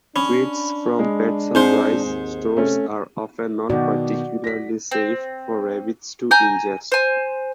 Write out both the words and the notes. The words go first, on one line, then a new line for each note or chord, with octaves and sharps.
Treats from pet supplies stores are often not particularly safe for rabbits to ingest.
C#4 D4 B5
G#3
G#2 C4 C5 C6
D#2
C3 A3 C#4
B2 D#3 D#4 F#4 D5
A#6 B6
C4
G#5 A#5 G6
C5 G#5